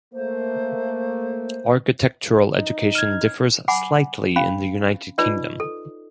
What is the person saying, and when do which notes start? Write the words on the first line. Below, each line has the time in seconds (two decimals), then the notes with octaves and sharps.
Architectural education differs slightly in the United Kingdom.
0.14 A3 A#3 C5
2.56 D#4
2.95 F6 G#6
3.68 F#5 G#5 B5 D6
4.36 C#4 F5 B5
5.18 D#4 F4 B4 D5 D#5
5.60 A4